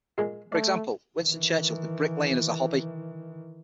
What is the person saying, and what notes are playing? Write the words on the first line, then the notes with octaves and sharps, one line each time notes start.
For example, Winston Churchill did bricklaying as a hobby.
A#2 G#3
A3 D5 A5
D#3 E3